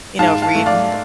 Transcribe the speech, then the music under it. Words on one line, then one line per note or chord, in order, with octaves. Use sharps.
you know, read w
G#2 F5 A5
F5 A5
A3
D5 F5